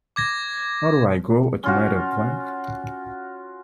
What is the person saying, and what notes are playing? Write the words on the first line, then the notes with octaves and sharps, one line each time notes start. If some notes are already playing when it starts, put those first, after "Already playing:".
How do I grow a tomato plant?
D6 G#6 A#6
C#4 F4 F#4